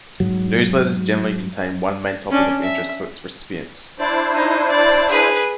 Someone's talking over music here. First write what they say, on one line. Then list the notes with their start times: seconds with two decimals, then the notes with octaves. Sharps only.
Newsletters generally contain one main topic of interest to its recipients.
0.20 G#2 F#3
2.30 C#4 D4
2.62 E5
3.99 D4 E4 C5 D5
4.34 D#4
4.70 D5
5.09 G#4 B4